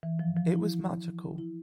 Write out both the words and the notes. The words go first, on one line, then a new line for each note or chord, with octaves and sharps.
It was magical.
E3
F3
F3
E4
E4